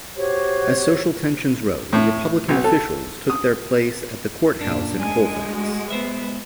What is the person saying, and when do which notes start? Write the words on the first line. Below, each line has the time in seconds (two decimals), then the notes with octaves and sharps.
As social tensions rose, Republican officials took their places at the courthouse in Colfax.
0.16 F#4 G4 C5 C#5
1.93 A2
2.48 B1
2.64 A4
3.30 D#6
4.61 F#2 A#2 D4
5.01 G#3 G#5
5.49 F#4
5.90 B3 B4 C5 E5